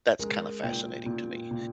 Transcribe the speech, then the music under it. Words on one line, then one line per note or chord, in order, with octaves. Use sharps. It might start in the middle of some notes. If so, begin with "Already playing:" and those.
that's kind of fascinating to me.
G#3 A#4
A#2 G5
A#2
A#2